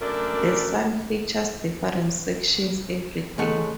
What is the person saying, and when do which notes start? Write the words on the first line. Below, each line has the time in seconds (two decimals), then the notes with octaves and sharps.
"The Sun" features different sections every day.
0.01 F#2 A3 D4 A#4 D5
3.38 C#2 G#3 A3 F#5